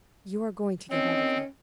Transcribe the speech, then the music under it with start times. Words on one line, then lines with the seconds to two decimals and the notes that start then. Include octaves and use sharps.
"You are going to get out of here."
0.90 D#2 D#3 C4 C#4 D#5